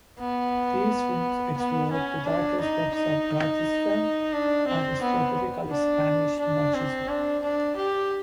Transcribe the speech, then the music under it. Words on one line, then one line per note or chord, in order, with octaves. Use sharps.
These films explored the darkest depths of eroticism and stereotypical Spanish machismo.
B3
B3
C#4
D4
D#4
D#4
D4
C4
B3
D4
D4
C4
D4
D4
G4